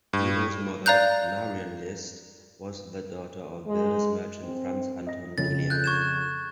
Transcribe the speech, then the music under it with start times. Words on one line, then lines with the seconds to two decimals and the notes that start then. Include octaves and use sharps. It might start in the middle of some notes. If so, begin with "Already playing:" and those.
Guido's mother, Marian List, was the daughter of builder's merchant Franz Anton Killian.
0.13 G2
0.86 D5 F5 A#5 F#6 G6
3.67 G#3
4.43 C4
5.07 D#5 A#6
5.38 F2 C#3 A6
5.70 F#6 G6
5.84 C#6 G#6 E7